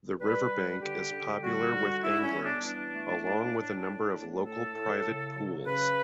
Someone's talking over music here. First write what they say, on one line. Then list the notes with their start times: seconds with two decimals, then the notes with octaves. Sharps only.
The riverbank is popular with anglers, along with a number of local private pools.
0.20 G3 B4
0.51 G3
0.81 D3 G4
1.11 D3
1.42 G3 F#4
1.72 D3
2.02 G3 E4
2.22 C#4
2.33 B3
2.43 D4
2.62 E3 D4
2.93 A3
3.23 A2
3.54 A2
3.83 A2
4.14 A3
4.44 A2 A4
4.75 A2
5.05 C#3
5.35 F#3
5.65 C#3 B4